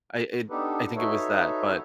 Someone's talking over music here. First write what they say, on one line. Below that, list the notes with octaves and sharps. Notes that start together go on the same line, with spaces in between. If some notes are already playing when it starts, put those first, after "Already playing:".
I, i I think it was that, but
B3 D4 D#4 G4 A4 B4
D#4 F#4 A4 B4 C#5 E5